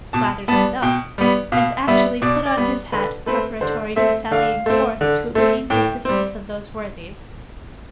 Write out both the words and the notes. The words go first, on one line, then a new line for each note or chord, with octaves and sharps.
Blathers and Duff; and actually put on his hat preparatory to sallying forth to obtain the assistance of those worthies.
B2 A5
G3 B3 A5
B2 G5
G3 B3
B2 F5
G3 B3 E5
B2 D5
D5
G3 B3
D3 B4
A3 C4 B4
D3 C5
A3 C4 E5
D3 F5
A3 C4
D3
A3 C4
A2 G5
G3 C4